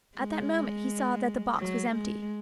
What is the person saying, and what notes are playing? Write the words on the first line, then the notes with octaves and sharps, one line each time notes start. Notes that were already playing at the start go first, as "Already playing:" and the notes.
At that moment he saw that the box was empty.
G#3
F#3
G#3